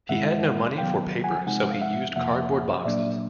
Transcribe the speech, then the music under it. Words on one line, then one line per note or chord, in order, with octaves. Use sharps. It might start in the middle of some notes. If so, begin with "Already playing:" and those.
He had no money for paper so he used cardboard boxes.
G2 D#3 G#3 C4 E4 E5 F#5
C3 D#3 F#3 B3 F5 G5
F#5 G#5
C3 F3 G#3 C4 D#4 F#5 G#5
F5
E5 F#5
F2 C3 F3 A#3 E5 F#5
A#2 F#3 A#3 D4 D5 E5